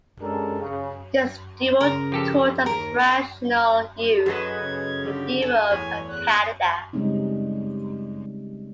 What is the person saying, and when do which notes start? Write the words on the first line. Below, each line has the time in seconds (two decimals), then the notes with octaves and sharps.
This duo toured as Rational Youth in Europe and Canada.
0.21 G#3 C#4 D4 G4 A4 A#4
0.60 C#3
1.81 C#3 A#4
2.12 F3 G4 A4
2.66 D#2 A#4
4.26 F#2 F#3 G#4 A4 B4 D#5 G#6
4.61 C#3
5.05 D3 G4
5.42 A4 G#5
5.71 E2 A2 C#5
6.10 F#6
6.93 C#3 G3 G#3 C4 C#4 D#4